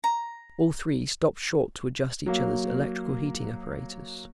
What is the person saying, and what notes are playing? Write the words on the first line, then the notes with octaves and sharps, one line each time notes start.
All three stopped short to adjust each other's electrical heating apparatus.
A#5
F#3 A#3